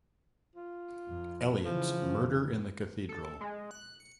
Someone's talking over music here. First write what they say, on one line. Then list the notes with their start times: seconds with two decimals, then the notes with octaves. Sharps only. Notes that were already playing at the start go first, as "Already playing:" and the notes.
Eliot's "Murder in the Cathedral".
0.56 F4
1.09 F2
1.65 C#3 E3 F3
2.15 F2 D#3
3.09 A4
3.41 G#3
3.71 F#6
4.00 C#7